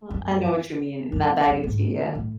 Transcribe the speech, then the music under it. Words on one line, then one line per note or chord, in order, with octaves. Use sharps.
Well, I know what you mean, in that bag of tea, yeah.
F#2
F#2
F#2
G#2
A2